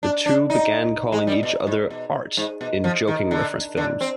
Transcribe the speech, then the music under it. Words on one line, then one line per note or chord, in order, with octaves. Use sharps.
The two began calling each other "Art" in joking reference to these films.
D4
D4
D#4
G#3
G3
B2
G#2
B2
G#2
B2
F3
D#3
D3
D3
C4